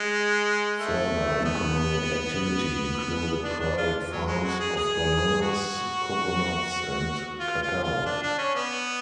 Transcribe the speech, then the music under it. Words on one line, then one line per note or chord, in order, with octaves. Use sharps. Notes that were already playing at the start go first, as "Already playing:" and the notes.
Further economic activity included private farms of bananas, coconuts, and cacao.
Already playing: G#3
A3
B3
D4
D4
F4
F#3
G#3
F#4
G#4
G#4
F#4
F4
F4
F4
D4
D4
C#4
B3